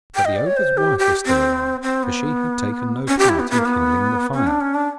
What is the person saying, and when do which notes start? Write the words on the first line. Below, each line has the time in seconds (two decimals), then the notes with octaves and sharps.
But the ogre's wife was still alive, for she had taken no part in kindling the fire.
0.15 G5
0.25 D#5
0.36 D5
0.46 C#5
0.57 C5
0.77 G4
0.99 G4
1.26 C4
1.83 C4
2.03 B3
3.08 C#4
3.19 G4
3.29 E4
3.39 B3
3.50 B3
3.59 A#3
3.65 B3
4.34 C#4
4.47 D4
4.60 C#4
4.74 D4